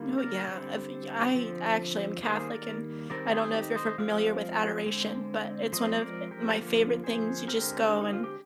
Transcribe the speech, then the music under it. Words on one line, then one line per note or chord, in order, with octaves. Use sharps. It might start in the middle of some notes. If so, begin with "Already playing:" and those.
Oh, yeah. I've y I actually am Catholic, and I don't know if you're familiar with adoration, but it's one of, eh, my favorite things, you just go and
Already playing: D3 G3 A#3
A#4 D5
D3 G3 C4
D3 F3 C4
D#3 G3 A#3 G#4 C5
A#4 D5
D#3 G3 C4 A#4 D5
G#4 C5
D#4 G4
C5 D#5
F3 G#3 C4 D5 F5
D3 G#3 C4
F3 G#3 C4 C5 D#5
A#4 D5
G4 A#4
D3 F3 A#3
G#4 C5
D3 G#3 C4 G4 A#4
D4
D#4
F4
G4